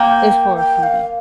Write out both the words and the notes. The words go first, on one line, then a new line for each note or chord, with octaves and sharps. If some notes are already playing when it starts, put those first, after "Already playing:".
It's for a foodie,
Already playing: A#3 G5
G5
F5